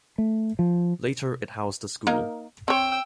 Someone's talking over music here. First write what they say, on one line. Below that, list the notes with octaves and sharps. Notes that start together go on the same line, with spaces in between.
Later it housed a school.
A3
F3
A#3 D#4 A#4
C4 C#5 G5 E6